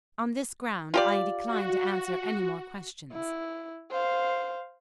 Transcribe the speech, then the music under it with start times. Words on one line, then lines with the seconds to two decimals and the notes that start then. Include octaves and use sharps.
On this ground, I declined to answer any more questions.
0.94 F4 G4 D5
1.46 F#4
3.12 E4
3.91 C5 F5